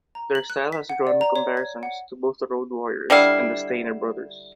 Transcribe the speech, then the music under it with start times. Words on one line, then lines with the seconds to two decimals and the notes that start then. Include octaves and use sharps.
Their style has drawn comparisons to both the Road Warriors and the Steiner Brothers.
0.15 A#5
0.35 F#7
0.50 F#6
0.72 B6
0.89 F#5
1.07 D5
1.21 A#5
1.36 C#5
1.57 G#6
1.83 F#5
3.10 D3 G3 E4 F5